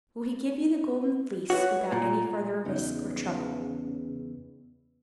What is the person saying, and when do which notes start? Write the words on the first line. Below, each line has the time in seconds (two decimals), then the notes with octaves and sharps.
"Will he give you the Golden Fleece, without any further risk or trouble?"
1.50 F#4 B4 C#5
1.92 A#2 A#5
2.65 E2 C#3 B3 D#4